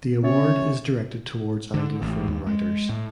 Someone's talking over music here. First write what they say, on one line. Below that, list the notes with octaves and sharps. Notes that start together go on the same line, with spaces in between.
The Award is directed towards Anglophone writers.
C#3 C#4 C#5 E5 A6
D3
A1
D#2
G#3
A2